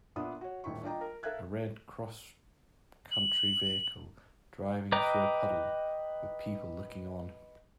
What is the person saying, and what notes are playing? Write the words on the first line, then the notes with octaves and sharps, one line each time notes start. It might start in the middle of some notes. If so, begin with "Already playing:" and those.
A red crosscountry vehicle driving through a puddle with people looking on.
A#2 B3 D4 E5 D#6
F#4 C#5
D#1 A1 E4 B5 C#6
D4 F4 D5 D#5 G5 A#5
A#4
A4 A#4 E5 F5 F#6 G#6
F#7
B4 D#5 G5 A#5 D6